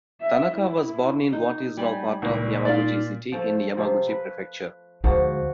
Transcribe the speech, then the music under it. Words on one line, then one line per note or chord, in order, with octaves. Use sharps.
Tanaka was born in what is now part of Yamaguchi city, in Yamaguchi Prefecture.
E5
E4
D#4
G3 G#5 B5
C#2 A#2 D#3 E3
D#4 F4 D5 F5 C6 D6
F3 A3
C3 F3
B4
D2 G#2 F3 G#3 F#4